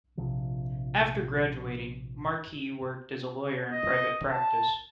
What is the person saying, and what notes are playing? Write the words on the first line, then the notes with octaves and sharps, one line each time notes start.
After graduating, Markey worked as a lawyer in private practice.
A#1 C3 F3
D#5
A5